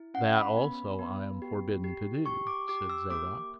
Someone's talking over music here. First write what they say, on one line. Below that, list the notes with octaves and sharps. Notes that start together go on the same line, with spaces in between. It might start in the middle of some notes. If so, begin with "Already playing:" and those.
"That also I am forbidden to do," said Zadok.
Already playing: E4
C#4 F#5
B5
B3
B3
G4
G4
G4 C#6
D6
G4 D6
E6
A#3 D6